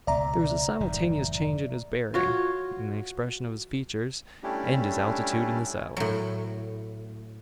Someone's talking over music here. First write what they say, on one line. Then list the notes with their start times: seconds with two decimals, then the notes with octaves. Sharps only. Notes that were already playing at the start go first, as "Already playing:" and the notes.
There was a simultaneous change in his bearing--in the expression of his features--and his attitude in the saddle.
0.07 C#2 B2 B3 D5 E5 A#5
0.80 F1 G#2 D#3
2.14 F4 F#4 C#5
4.43 G3 A3 C#4 D4 E4 G4
5.97 A2 F#3